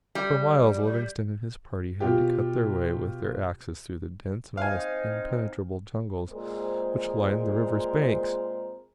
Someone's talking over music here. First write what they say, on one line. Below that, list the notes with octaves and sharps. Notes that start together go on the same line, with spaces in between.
For miles Livingstone and his party had to cut their way with their axes through the dense and almost impenetrable jungles which lined the river's banks.
G3
B2 F4 G4
C4 D#4 F5 G#5
A#2 G#3 C4 G#4 A#4 C5